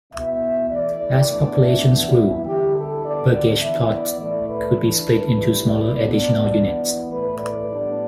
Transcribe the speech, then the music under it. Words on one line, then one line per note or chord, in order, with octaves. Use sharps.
As populations grew, "burgage plots" could be split into smaller additional units.
B2 B3 E4 E5
E3 A3 E4 D5
A2 E3 B3 D4 D5
E5
E3 B3 E4
E5
D3 G3 E4 G4
A4
D3 B3 D4 D5
D5
E3 B3 E4 E5
D5
A2 A3 E4 D5
B4
E3 A3 D4
B4
A2 G3 E4
D5
B2 B3 D4 D5
E3 B3 E4
A2 E3 A3 B4
D5
A2 G3 B3 D4